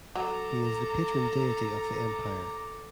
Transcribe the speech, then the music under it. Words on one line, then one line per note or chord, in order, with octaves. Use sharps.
He is the patron deity of The Empire.
F#3 A4 A#5 D6